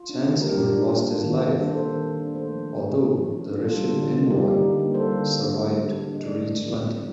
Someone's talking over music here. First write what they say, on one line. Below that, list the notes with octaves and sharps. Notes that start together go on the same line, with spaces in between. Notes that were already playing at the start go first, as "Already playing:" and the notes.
Chancellor lost his life, although the Russian envoy survived to reach London.
Already playing: F4
D4
A#3
G3 G4 A#4
A#2
D4
A#3
A#3
D#3
D#3
D4
A#3 A4 C5
D#3
D#3
D4
A3 A4 C5
F3
F3
D4
A3
F3
F3
D4
G3 F4 A4
D3
D3
A#3
G3 D#4 G4
D3
D3
A#3
G3 A4 C5
D3
D3
D4
G3
D3
D3
D4
D#5
A3 A#4 D5
D3
D3
C4
A3